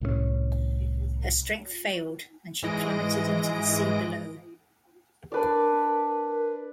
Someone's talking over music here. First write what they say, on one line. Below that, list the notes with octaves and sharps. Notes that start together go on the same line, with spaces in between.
Her strength failed, and she plummeted into the sea below.
C2 A2 G#3 C#4
G#2 E3 G#3 D#5 A#6 D7
D4 A#4 B4 D5